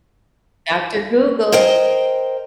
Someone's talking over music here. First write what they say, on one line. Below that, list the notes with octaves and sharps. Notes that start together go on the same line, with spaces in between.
After Google,
A#4 C5 D#5 G5